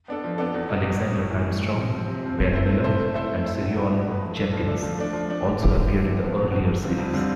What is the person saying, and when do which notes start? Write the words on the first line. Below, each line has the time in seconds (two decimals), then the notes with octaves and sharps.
Alexander Armstrong, Ben Miller and Siriol Jenkins also appeared in the earlier series.
0.08 B3 D4 A4
0.24 F3
0.38 B3 D4 A4
0.54 E2
0.69 B2 G3
0.84 E2
1.00 B2 G3
1.15 A2
1.30 E3 G3
1.47 A2
1.61 E3 G3
1.76 C3
1.93 F3 C4
2.08 C3
2.23 F3 C4
2.37 A3
2.53 C4 E4 A4 C5
2.69 A3
2.84 C4 E4 A4 C5
3.00 A3
3.14 E4 A4 C5 E5
3.30 A3
3.45 E4 A4 C5 E5
3.61 E2
3.75 B2 A3 E4 B4
3.91 E2
4.06 B2 A3 E4 B4
4.22 F3
4.37 A3 D4 A4
4.53 F3
4.68 A3 D4 A4
4.82 F3
4.98 A3 D4
5.13 F3
5.30 A3 D4
5.45 D3
5.60 A3 E4 G4
5.75 D3
5.91 A3 E4 G4
6.05 E2
6.20 C3 F3 B3
6.37 E2
6.52 C3 F3 B3
6.67 F2
6.83 D3 G3 C4 F4
6.98 F2
7.13 D3 G3 C4 F4